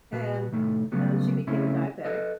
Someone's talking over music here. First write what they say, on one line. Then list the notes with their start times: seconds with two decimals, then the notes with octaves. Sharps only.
and, uh, she became a diabetic.
0.12 A#2 F#4 B4
0.52 C2 A2 D#3 A3
0.92 C#3 F#3 G3 A3 B3
1.47 C#3 A3 C4 C#4 E4
2.05 A4 B4 D#5